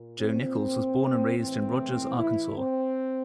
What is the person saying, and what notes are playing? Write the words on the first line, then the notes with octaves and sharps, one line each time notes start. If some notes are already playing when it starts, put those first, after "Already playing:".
Joe Nichols was born and raised in Rogers, Arkansas.
Already playing: A#2
C4
A2 E3 C4
E4
C4